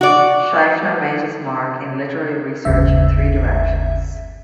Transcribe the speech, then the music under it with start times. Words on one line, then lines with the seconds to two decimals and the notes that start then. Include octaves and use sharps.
Schiefner made his mark in literary research in three directions.
0.01 F#4 D5
2.65 G1 D#2 C#3 E5